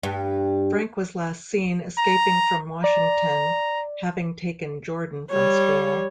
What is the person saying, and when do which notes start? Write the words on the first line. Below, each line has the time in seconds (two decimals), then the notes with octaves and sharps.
Frank was last seen escaping from Washington, having taken Jordan from school.
0.03 G2
1.98 A#5
2.84 D5 A#5
5.30 G3 C#5